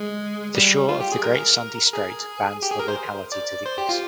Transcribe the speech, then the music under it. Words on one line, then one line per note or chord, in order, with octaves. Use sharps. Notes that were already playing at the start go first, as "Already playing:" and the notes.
The shore of the Great Sandy Strait bounds the locality to the east.
Already playing: G#3
G3
F4
G4
G#4
A#4
G#4
G4
G#4
A#4
C5
D5
C5
G4
F4